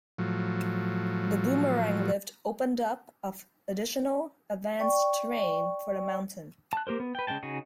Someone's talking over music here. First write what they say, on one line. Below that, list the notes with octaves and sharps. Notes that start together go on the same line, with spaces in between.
The Boomerang lift opened up of additional advanced terrain for the mountain.
A2 F3 F#3
D5 G5 C#6
A5 F#6
A#3 G4 A#4 C5
B3
B4 G5
C#3 G3 G#3 G5 A5
C#3 D#4 F#4 G#4